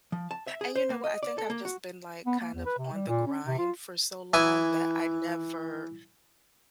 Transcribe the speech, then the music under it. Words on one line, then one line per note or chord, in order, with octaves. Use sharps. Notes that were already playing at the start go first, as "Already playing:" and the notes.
and you know what? I think I've just been, like, kind of on the grind for so long that I never
F3
A5
E5
G#4
C5
A#3
D#5
D5
A4
A#3
F#4
B3
A#3
E2
B4
C3
G3
A#2
C#4
C3
F4
E3 E4 G#5 D#6